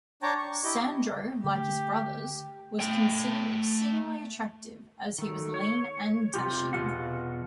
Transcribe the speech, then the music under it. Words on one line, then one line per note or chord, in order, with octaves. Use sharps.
Sandro, like his brothers, was considered exceedingly attractive, as he was lean and dashing.
D4 C#5 G5 A5 A#5
C#6
E4 G4 D#5 G6
D3 A3 G4
A3 G5
D#3 A3
C#5
C3 F3 F4 G4
E2 B2 D4 F4 F#5